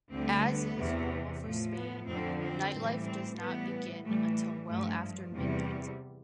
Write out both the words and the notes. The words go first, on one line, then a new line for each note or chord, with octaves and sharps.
As is normal for Spain, nightlife does not begin until well after midnight.
D2 D3 G3 C4
B3
E2 C3 E3
A2 F3 A3
B3
F2 D3 F3 C4
C4
A2 E3 G3
C4
A2 E3 G3 B3
A2 E3 G3 A3
G3
G2 F3 A3
E2 C3 G3